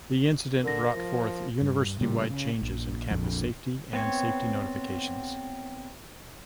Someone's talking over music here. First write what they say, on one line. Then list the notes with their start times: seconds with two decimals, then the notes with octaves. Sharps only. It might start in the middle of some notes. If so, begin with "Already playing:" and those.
The incident brought forth university-wide changes in campus safety and safety notifications.
0.64 D3 A#4 A#6
0.95 F3
1.61 G2
2.01 A#2 C#3 G3
2.30 C#3
2.62 A#1
3.10 A#1 F2
3.93 B3 C4 C#5